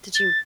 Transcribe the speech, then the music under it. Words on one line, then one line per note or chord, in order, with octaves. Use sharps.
Did you
A6